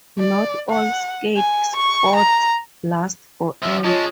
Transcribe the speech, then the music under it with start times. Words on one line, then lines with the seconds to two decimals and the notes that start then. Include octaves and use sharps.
Not all skate spots last forever.
0.19 D5
0.70 F#5
1.36 G#5
1.76 C#6
2.16 A#5
3.62 F#2 F3 E5
3.84 G#3 C#4 F4 C#5 D#5 A5